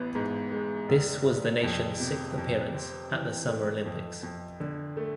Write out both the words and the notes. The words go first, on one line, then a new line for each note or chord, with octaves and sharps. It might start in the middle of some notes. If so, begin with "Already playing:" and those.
This was the nation's sixth appearance at the Summer Olympics.
Already playing: A1 B3
G#2
G#3
F1
F1
F2
C3
F2
C4
E3
A3
F2
F2
D3
A3